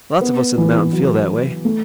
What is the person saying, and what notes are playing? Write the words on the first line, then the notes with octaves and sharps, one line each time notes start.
Lots of us in the mountain feel that way.
B3
E3
F#3
A3